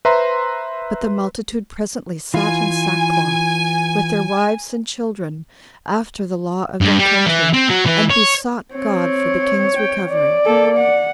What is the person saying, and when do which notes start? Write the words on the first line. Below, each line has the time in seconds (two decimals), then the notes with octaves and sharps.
But the multitude presently sat in sackcloth, with their wives and children, after the law of their country, and besought God for the king's recovery.
0.05 B4 C5 E5 A#5 C6
2.34 E3 F4 G#5
6.81 G2
6.99 G3
7.26 E3
7.53 C4
7.69 F#3
7.85 E3
8.10 C#5
8.75 C4 C#5
9.77 G5
10.11 D5
10.46 A#3 A4
10.78 F#5